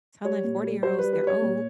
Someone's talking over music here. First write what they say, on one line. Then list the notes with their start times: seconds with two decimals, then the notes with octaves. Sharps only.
telling forty-year-olds they're old.
0.25 G3 C#5
0.44 A#2
0.64 G3
0.83 G3 C5
0.99 G3 B4
1.13 B4
1.22 G3
1.27 C#5
1.42 A#2